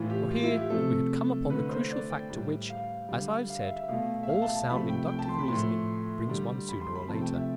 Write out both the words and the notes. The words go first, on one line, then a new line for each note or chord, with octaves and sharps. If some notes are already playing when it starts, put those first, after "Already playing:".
For here we had come upon the crucial fact to which, as I have said, all sound inductive reasoning brings one sooner or later.
Already playing: A2 E3 A3 F4
G4
F4
E4
G4
C3 F3 A3 A4
D3 A3 B4
C5
D5
G5
A2 G3
F5
D3 G3
F5
E5
E5
B2 A3 F5
E5
F5
A5
A5
C3 F3 A3 B5
G5
G5
A5
C6
B5
A2 F3 A3 C6
D3 G3
B5
C6
B5
C3 F3 A3 A5
G5
E5